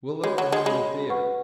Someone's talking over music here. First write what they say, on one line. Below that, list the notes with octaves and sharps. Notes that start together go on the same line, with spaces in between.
We'll look for him in the theater.
G#3 F#4 C#5 B5
F#3
G#3
G#3 F#4 C#5 B5
B4 F#5 C#6